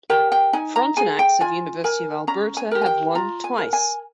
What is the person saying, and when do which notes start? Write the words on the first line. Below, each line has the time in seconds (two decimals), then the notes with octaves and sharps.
Frontenacs of University of Alberta have won twice.
0.10 G4 A#4 G5
0.32 G5
0.53 D#4 G#5
0.76 A#5
0.97 G#4 G#5
1.19 G5
1.41 F4 G#5
1.84 A#4 G#5
2.27 C#4 A#5
2.57 G#5
2.71 G4 A#4
2.81 G#5
2.86 G5
3.15 F4 A#5
3.44 G#5
3.58 A#4
3.73 G#5